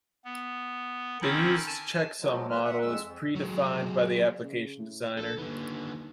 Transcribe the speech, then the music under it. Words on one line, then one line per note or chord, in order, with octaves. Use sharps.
The used checksum model is pre-defined by the application designer.
B3
D3 D#3 C4 C#4 D#4 E4
G#5 A5
F3 F#3 G#3
G#2 F#3 B4 F6
E5 F#5
F2 G#3 E6
F2
F#3 G#3
C#3
A2
A#1 A4
D#2 D3 B3